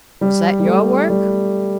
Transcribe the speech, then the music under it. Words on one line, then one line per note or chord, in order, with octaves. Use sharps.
"Was that your work?"
G3
G3
A3
G3